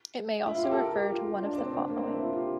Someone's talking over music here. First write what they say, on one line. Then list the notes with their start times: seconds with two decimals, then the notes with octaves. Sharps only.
It may also refer to one of the following.
0.47 E4
0.55 F4
0.64 G4
0.71 A4
0.79 A#4
0.95 G4
1.10 F4
1.27 F4
1.42 D4
1.53 D4
1.58 C4
1.74 D4
1.90 A#3
1.97 C4
2.06 D4
2.13 E4
2.21 F4
2.33 F4
2.37 G4